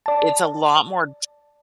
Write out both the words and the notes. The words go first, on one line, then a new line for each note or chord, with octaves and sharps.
It's a lot more
D5 A5